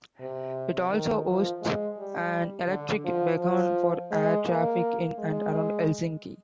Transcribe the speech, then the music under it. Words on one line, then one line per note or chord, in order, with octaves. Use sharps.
It also hosts an electric beacon for air traffic in and around Helsinki.
C3
D#3
F3
G#3
G3
D3
F3
F3
G#3
A#3
G#3